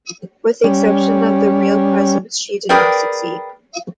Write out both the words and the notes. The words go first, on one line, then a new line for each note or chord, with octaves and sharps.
With the exception of the real presence, she did not succeed.
G3 C#4
G#4 A#4 B4 D5 G5